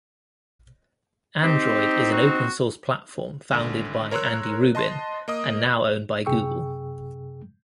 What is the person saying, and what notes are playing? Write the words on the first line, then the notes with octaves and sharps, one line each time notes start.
Android is an open-source platform founded by Andy Rubin and now owned by Google.
C4 D#4 G4
F#4
G#1 D3
A#4 C#5 A#5 C6 E6 F#6
D#5 A5 C6
A#3 D#5 D#6
F#2 C3 G#4 G5 C#6 E6